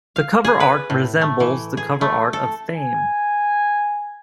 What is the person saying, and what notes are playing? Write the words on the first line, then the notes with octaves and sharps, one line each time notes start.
The cover art resembles the cover art of "Fame".
F5
G#4
B4
A2
A3
E3
G#4
A3
A4
G#5